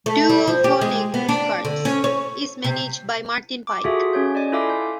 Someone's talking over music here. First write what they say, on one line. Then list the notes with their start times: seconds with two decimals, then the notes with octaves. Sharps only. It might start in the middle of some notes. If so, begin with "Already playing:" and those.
Duophonic Records is managed by Martin Pike.
0.06 A3
0.29 G3
0.47 F3
0.64 G4
0.81 G#3
1.14 B3
1.29 D4
1.65 D3
1.85 C#4
2.04 C#5
2.64 C3
3.67 D6
3.85 F4 F#4 G#4 A4 E5 F5
4.13 C#4 C#5 G6
4.35 D5 D#5 G#5
4.52 E4 F4 A4 E5 F5 D6
4.70 G6